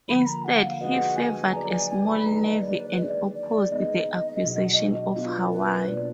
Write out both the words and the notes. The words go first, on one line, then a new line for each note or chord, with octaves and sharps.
Instead, he favored a small navy and opposed the acquisition of Hawaii.
D3 F3 A#3 B5
A#5
F#5
F5
G#3 D4 F#4 B4 D#5 F#5
G#5
F#3 D4 G#4 B4 D5 A#5
G#5
G#5
B5
D#3 A#3 D#4 G#4 B4 A#5
D#5
D5
B4
D#3 G#3 D4 G#4 D5 D#5
D5
G#3 B3 D#4 D#5
B2 F#3 D4 F#4
B3 D4 F4
B4
B2 A#3 D4 D5